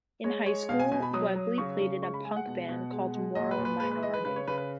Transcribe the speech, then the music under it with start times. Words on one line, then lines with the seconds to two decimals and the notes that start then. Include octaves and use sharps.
In high school, Webley played in a punk band called Moral Minority.
0.24 G#3 C#5
0.46 G#3 C#5
0.69 B2 F5
0.79 G#5
0.92 B2 G#5
1.02 B5
1.13 F#3 D#6
1.35 F#3
1.58 C#3 C#6
1.81 C#3
2.02 G#3 C#6
2.14 B5
2.25 G#3 G#5
2.36 F#5
2.47 B2
2.69 B2
2.92 G#3
3.14 G#3
3.35 A#2 D#5
3.51 B4
3.58 A#2
3.65 B4
3.80 G#3 B4
3.91 B4
4.03 G#3 D#5
4.14 B4
4.25 C#3 B4
4.36 C#5
4.47 C#3 B4
4.58 B4